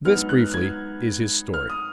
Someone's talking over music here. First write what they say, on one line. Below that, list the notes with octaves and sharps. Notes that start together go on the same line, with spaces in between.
This, briefly, is his story.
G#2 F#3 B3 D#4 F6
F#6
G#6
F6
D#6